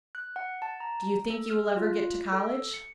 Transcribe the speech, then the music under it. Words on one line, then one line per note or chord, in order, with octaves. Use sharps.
"Do you think you will ever get to college?"
F#6
F#5
A5
A#5
A4
F6
F4
A4
C#7